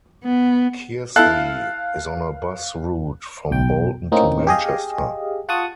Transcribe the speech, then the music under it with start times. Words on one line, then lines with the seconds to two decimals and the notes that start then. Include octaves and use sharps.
Kearsley is on a bus route from Bolton to Manchester.
0.24 B3
1.16 E4 A4 F5 F#6
3.51 B1 G5
4.12 A2 A#3 C4 C#4 D#4
4.47 G4 G#4 D#5 F5
5.49 F4 F#5 A5 C#6 D#6